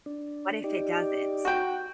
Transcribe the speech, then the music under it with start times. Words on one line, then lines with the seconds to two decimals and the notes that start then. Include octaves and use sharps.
what if it doesn't?
0.06 D4
0.64 D#4 G4 D5
1.45 F#4 G5